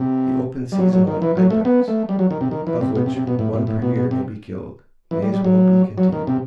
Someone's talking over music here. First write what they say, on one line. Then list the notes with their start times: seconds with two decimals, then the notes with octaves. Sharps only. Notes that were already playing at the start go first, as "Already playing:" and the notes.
The open season on "ibex," of which one per year may be killed, may as well be continued.
Already playing: C3
0.72 G3
0.79 F#3
0.93 F#3
1.07 D#3
1.22 E3
1.37 F#3
1.50 A3
1.65 B3
1.88 A3
2.09 G3
2.19 F#3
2.31 D#3
2.41 C3
2.51 D#3
2.67 E3
2.81 C3
2.95 B2
3.06 C3
3.17 C3
3.27 B2
3.39 A2
3.53 A2
3.67 A2
3.82 B2
3.96 B2
4.11 C3
5.11 E3
5.22 G3
5.34 G3
5.44 F#3
5.98 F#3
6.12 D#3
6.27 C3